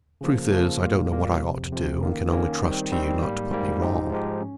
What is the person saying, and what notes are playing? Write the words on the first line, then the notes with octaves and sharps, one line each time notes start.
The truth is, I don't know what I ought to do, and can only trust to you not to put me wrong.
C#3 F3 A#3
C#3 F3 A#3
A#2 G3 A#3 F4
A#2 G3 A#3 F4
F2 C3 F3
F2 C3 F3
D#3 A#3 C#4
D#3 A#3 C#4
D#3 G3 C4
D#3 G3 C4
G#2 G3 A#3
G#2 G3 A#3
G#2 F3 G#3 D#4 G4
G#2 F3 G#3 D#4 G4
C#4